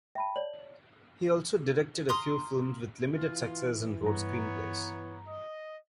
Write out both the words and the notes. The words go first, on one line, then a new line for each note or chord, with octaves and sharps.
He also directed a few films with limited success, and wrote screenplays.
E5 G5 A5 B5
C#5 D5 F#7
A#5 C6 D#6 F6
E3 F4
G2 B3 C#5 A#5
D#5